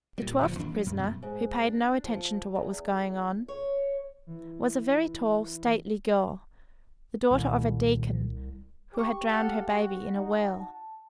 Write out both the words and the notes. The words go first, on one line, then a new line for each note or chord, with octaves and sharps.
The twelfth prisoner, who paid no attention to what was going on, was a very tall, stately girl, the daughter of a deacon, who had drowned her baby in a well.
A#2 G3
G1 A#2 F3
D#2 D4
F#3
F#2
F#2 B2
G#2
D4
F3
E2
C#5
E3
D#1 C2
G4 C#6 D6
A4 F5 F#5
F#4
D#4
A5